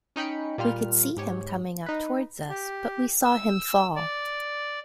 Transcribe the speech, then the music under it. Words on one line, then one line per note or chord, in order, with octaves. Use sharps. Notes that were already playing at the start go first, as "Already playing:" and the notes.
We could see him coming up towards us, but we saw him fall.
C#4 D#4 G5 B5 C#7
A#2 G3 F4 F6
G#2 G4 C#5
D#4 B4
G4
E6
D5